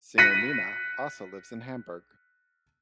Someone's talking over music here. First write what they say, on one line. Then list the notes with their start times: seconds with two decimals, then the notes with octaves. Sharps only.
Singer Nena also lives in Hamburg.
0.18 F#6 A#6 B6 C#7 D#7